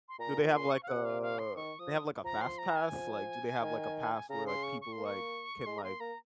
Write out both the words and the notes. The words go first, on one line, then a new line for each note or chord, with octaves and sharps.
Do they have, like, a they have, like, a fast pass? Like, do they have, like, a pass where, like, people, like, can, like,
C6
A#2 A#5
C6
C#6
F5
C3 F#5
F5
F5
C6
D#3 C#6
F3 D#6
F3 A#5
C6
A#5
G#5
F3
D#3
C#3 A#5
C6
C#6
C#6
C6
A#3
C#6
G#3 C6
A#5
A#3 C6
A#3 A#5